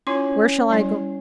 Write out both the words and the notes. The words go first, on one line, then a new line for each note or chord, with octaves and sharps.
Where shall I go?
C#4 E4 F4 C#5 C6
G3 E4